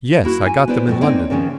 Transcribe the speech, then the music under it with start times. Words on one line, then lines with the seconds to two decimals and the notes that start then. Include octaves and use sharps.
"Yes, I got them in London."
0.24 A#3 E4 F#4
0.46 G#5
0.68 B3 E4 B4 C5 D5
0.87 F2 A2 A3
1.01 A#3 C4 D4 D#4 C#5 D5
1.30 D#2 C#3 F3 C#4